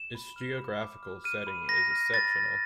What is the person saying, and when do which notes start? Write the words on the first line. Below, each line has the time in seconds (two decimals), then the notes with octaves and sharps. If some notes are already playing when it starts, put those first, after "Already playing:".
Its geographical setting is exceptional.
Already playing: E7
0.15 B5
0.36 F6
0.58 B5
0.81 D6
1.03 F6
1.24 F6 D#7
1.47 B5
1.68 B5 A#6
1.91 F6
2.14 B5 A6
2.36 B5